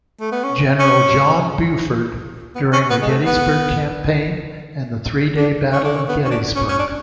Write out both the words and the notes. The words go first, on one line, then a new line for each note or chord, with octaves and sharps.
General John Buford during the Gettysburg Campaign and the three-day Battle of Gettysburg.
A3
B3
C#4
C#4
B3
C#4
B3
G#3
A3
B3
D4
C#4
D4
C#4
B3
C#4
D4
C#4
C#4
D4